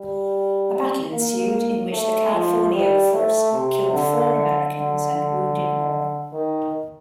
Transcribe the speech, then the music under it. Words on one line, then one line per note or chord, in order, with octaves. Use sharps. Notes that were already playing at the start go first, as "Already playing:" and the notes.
A battle ensued in which the Californio force killed four Americans and wounded more.
Already playing: G3
A#3
A3
F3
G3
A3
C3
D3
D3
D3
D#3